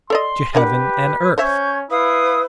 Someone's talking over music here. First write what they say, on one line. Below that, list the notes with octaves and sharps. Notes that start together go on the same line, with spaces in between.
To Heaven and Earth.
A4 D5 D#5 C6
D4 G4 A#4 B4 F#5
C#4 C5 C#5 E5 C#6 G6 G#6
E4 B4 F5 D#6